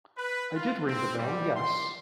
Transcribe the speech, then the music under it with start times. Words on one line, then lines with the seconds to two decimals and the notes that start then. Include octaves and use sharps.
I did ring the bell, yes.
0.17 B4
0.55 F4
0.87 C4
1.18 G3
1.56 C6